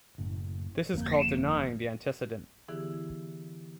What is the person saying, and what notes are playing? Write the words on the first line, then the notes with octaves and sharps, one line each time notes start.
This is called denying the antecedent.
F#1 A2
G1 F2 B2 A#3
D3 E3 B3 E4 G4 G#4